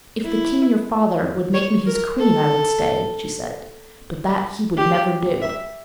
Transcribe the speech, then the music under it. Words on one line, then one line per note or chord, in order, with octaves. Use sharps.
'If the king, your father, would make me his queen I would stay,' she said; 'but that he would never do.'
E4
C#5
A#4
A4
G4
E5